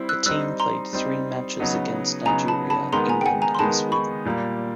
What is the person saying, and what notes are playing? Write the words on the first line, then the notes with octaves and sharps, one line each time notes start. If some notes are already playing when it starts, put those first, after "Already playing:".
The team played three matches against Nigeria, England and Sweden.
Already playing: G3 C4 E4
E6 F#6
G3 C4 D#4 E6 F#6
A#5 C6
G3 C4 D#4
C#3 F#3 B3 D#4
C#3 F#3 B3 D#4 G#5 A#5
A5 B5
A5 B5
D#3 G#3 B3 A#5 C6
G#5 A#5
G5
F#5 G#5
G#5 A#5
C6
D#3 G#3 B3 A5 B5
B5 C#6
A#2 G3 A#3